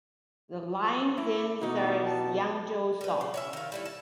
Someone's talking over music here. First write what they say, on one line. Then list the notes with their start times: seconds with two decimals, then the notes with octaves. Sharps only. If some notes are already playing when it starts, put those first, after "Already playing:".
The line then serves Yangzhou South.
1.17 E4 D5 A#5
1.61 B2 E3 D#4 F#4
2.06 A5
3.01 G3 B4
3.21 C#3
3.34 C#4 E4 E5
3.53 D#3 F5
3.72 G3 A3 E4
3.86 A5